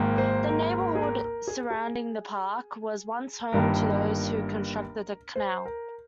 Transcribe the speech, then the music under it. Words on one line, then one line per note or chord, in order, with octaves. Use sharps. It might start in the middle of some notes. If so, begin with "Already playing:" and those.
The neighbourhood surrounding the park was once home to those who constructed the canal.
Already playing: G#1 G#2 D#3 A#3
C5
A#4
A#4
G#4
A#4
A#4
G#4
G#4
G1 G2 D#3 A#3 A#4
C5
A#4